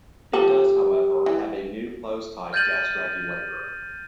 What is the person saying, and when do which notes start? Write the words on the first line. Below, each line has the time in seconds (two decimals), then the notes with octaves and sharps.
It does, however, have a new closed-type gas regulator.
0.34 F3 G4 A4
1.26 E3
2.53 F6 G6 A6 D#7 F#7